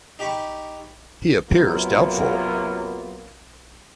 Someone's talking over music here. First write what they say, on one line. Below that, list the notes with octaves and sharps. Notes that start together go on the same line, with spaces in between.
He appears doubtful.
D#4 G4 G5 B5 C#6
F#2 C3 F#3 A#3 B3 F4